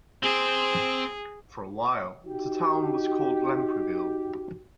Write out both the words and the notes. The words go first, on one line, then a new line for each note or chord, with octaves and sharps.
For a while, the town was called "Lampreyville".
C4 G#4 C5
D#4 F#4 G4